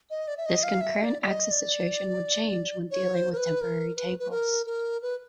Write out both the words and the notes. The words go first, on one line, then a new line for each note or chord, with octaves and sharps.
This concurrent access situation would change when dealing with temporary tables.
D#5
D5
E5
D#5
F5
E5
D5
D5
D#5
D5
C#5
C5
A#4
B4
A#4
B4
B4
A#4
A#4
B4